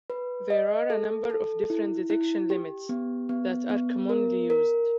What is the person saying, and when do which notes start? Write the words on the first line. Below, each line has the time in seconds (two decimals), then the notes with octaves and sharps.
There are a number of different "detection limits" that are commonly used.
0.10 B4
0.50 D#5
0.90 A4
1.30 A4
1.70 E4
2.10 E4
2.50 G4
2.89 B3
3.29 B3
3.70 B3
4.09 A#4
4.50 A#4